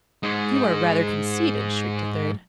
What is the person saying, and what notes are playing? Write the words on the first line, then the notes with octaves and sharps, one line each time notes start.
"You are rather conceited," shrieked a third.
G#2 G#3